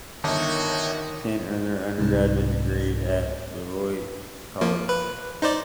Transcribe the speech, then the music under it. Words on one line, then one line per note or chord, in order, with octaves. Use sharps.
Penn earned their undergraduate degree at Beloit College.
G1 D#3 F#4 C#5 D#5 G5
C2 G#2
F3 A#3
B4
D#4 C5 D5